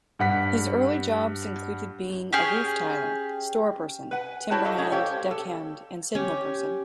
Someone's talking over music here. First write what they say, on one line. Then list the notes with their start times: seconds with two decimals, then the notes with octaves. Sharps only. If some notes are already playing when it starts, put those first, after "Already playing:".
His early jobs included being a roof tiler, storeperson, timberhand, deckhand, and signalperson.
0.19 G2 F#5 B6
2.33 C#4 G4 G#4
4.11 B4 F#5 G#5
4.51 E4 F#4 C5 C#5 G5 A5
4.64 G4 A4 C#5 D#5 F5
4.78 G#3 C#4 A4 C#5
4.92 G4 A4 C5 C#5 F5 G5
5.31 A4
6.15 C#4 G4